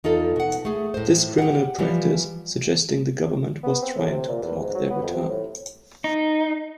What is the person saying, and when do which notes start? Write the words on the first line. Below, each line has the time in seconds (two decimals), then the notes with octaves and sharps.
This criminal practice suggesting the government was trying to block their return.
0.04 E2 D#4 F4 A4
0.36 B2 F#5
0.65 A3 G#4
0.94 A2 C5
1.38 G4 F#5
1.79 E3 F3 G3
3.63 B3
3.82 C4
3.96 A2
4.12 C3
4.28 A#2
4.42 E2
4.61 G#2
4.74 F#3
4.90 B3
5.02 F2
5.14 C3
5.29 A2
6.04 D#4